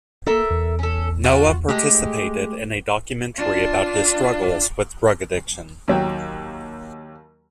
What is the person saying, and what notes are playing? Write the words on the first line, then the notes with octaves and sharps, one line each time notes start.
Noah participated in a documentary about his struggles with drug addiction.
A#3 C#4 A4 A#4 E5
E2
C#4 A4
F4 F#4
G#3 A3 G4
D4 F4
D#2 F#3 G5